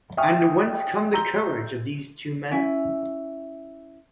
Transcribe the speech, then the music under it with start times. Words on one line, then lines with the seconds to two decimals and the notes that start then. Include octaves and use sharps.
And whence come the courage of these two men?
0.17 E5 G5 G#5 C#6 D#6 F6
1.13 A#5 C6 E6 G6 G7
2.51 C#4 E4 E5 G#5